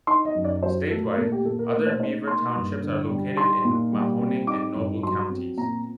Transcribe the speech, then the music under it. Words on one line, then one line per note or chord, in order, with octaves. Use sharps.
Statewide, other Beaver Townships are located in Mahoning and Noble counties.
D#4 C6
D#5
F#2
D5
F#3 C5
A3 A4
A#4
A#2 A4
G4
A#2 A4
A#4
A3 A#4
C5
D#4 C5
A#3 C6
G2
D3
G3
D#4 C6
A#2
G3
C4
D#4 D6
G2
F#3 C6
C4
A#2 A#5